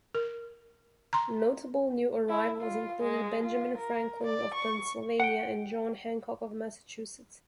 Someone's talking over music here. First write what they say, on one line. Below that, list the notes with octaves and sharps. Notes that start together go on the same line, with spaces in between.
Notable new arrivals included Benjamin Franklin of Pennsylvania and John Hancock of Massachusetts.
A#4
A#5 C6
E4
F4
G#3
F4
A#4
D5
C#6
F#5 G5